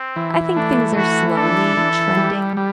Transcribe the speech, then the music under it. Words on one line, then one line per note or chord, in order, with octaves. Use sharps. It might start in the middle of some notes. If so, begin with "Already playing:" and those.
I think things are slowly trending
Already playing: C4
E3
A3 D4
E3 F#4
D4 A4
E3
G3
G3